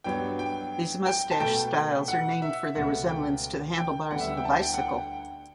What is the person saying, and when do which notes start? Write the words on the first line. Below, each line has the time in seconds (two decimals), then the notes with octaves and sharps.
These moustache styles are named for their resemblance to the handlebars of a bicycle.
0.04 G2 F#3 B3 G5
0.39 G5
1.06 G5
1.31 A5
1.40 B2 A3 G5
2.08 F#5
2.42 E5
2.75 C#2 B2 A3 F#5
3.09 G5
3.78 G5
4.11 D2 D3 G3 B3 F#5
4.20 E5
4.28 F#5
4.37 G5
4.45 A5
4.62 G5
4.74 F#5
4.78 G5